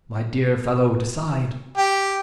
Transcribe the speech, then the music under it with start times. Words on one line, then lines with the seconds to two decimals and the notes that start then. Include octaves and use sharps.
My dear fellow, decide!
1.77 G4